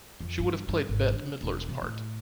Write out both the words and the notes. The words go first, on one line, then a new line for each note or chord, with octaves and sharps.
She would have played Bette Midler's part.
F2
G2
G2
G#1
D3
E1
B2
A2